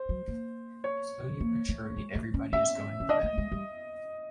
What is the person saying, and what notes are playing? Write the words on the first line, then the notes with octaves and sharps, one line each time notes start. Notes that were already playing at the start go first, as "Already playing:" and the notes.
Slowly but surely everybody is going to bed.
Already playing: C5
F#3
A#3
C#5
A#3
A3
G#3
A3
C#4
C#4 E5
C#4
D4 D#5
A3
G#3
G3